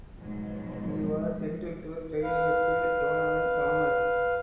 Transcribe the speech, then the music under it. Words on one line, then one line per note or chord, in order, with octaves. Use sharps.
He was sent into training with Jonathan Thomas.
G#2 B2 F3 F#3 G#3
B4 F5